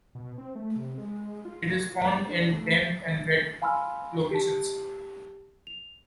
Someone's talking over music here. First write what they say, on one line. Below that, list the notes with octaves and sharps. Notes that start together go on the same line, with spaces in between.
It is found in damp and wet locations.
B2
C4
A3
C3
G#3
F4
G2
D4
A3
F5 G#5 B5 C6 E6 F6
G4 A5
F7